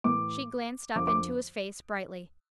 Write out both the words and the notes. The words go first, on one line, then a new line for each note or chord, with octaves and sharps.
She glanced up into his face, brightly.
A2 E3 D6
F2 D3 F3 D6
D6